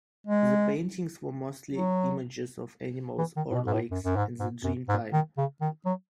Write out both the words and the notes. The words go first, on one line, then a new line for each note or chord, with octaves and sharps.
The paintings were mostly images of animals or lakes, and the Dreamtime.
G#3
F#3
E3
D#3
A2
B2
G#2
A2
F#2
F#2
G#2
G#2
F#2
G#2
D#3
C#3
D#3
F#3